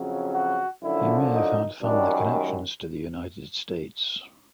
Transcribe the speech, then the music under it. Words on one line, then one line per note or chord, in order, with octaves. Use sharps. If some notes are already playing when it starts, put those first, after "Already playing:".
He may have had family connections to the United States.
Already playing: F2 C#3 F#3
F#4
F#2 D3 F3 E4
D#4
F#2 D#3 G3 D4